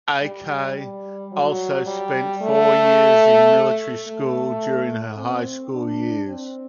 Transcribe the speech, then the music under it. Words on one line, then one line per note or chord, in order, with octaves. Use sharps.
Aki also spent four years in military school during her high school years.
G3
G3
F#3
G3
A3
A3
C4
D4
C4